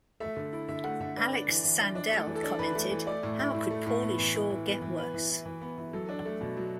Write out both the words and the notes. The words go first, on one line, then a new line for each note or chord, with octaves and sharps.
Alex Sandell commented How could Pauly Shore get worse?!?
A3 E5
D3
E4
D3 E5
A3 F#5
D3 E5
D4 B4
D4
E3
E3
D4
D4
A3 A4
E3
A4
D4
E3 B4
A3
E3
A3 D5
A2
E4
A2
A3
A2
B3
E3
E4
E3
B3
E3
B3 B4
E3
E4
E3
B3
E3
F#3 A4
D4
A3
B2
F#3